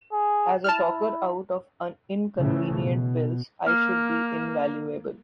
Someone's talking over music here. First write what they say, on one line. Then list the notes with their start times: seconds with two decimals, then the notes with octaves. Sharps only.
As a talker-out of inconvenient bills I should be invaluable.
0.13 G#4
0.64 E4 A5 F6
2.38 A2 C#3 E3 A3
2.84 B2
3.67 A#3 F6